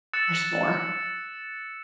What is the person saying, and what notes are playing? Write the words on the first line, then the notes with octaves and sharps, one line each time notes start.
There's more.
E6 F#6 A6 C#7 E7